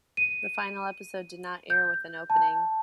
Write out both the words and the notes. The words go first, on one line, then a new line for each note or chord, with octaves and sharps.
The final episode did not air with an opening.
D#7
G6
A5